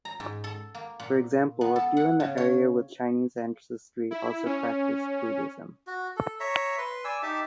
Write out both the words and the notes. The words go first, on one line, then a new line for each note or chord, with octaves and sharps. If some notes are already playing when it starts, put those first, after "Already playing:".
For example, a few in the area with Chinese ancestry also practice Buddhism.
A#5
G#2
A4
A#3
A#2
B3
A4
F#5
C#3
C#5
E4
C#4
F#4
A4
C#5 E5 A#5
B4 C6
D5 G#5 E6
D#4 G4 E5 A5